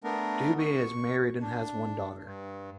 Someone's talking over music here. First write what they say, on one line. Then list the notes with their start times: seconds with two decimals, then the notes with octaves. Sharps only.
Dubey is married and has one daughter.
0.04 A3 B3 D4 A#4
0.59 C#6
1.41 D4
2.24 G2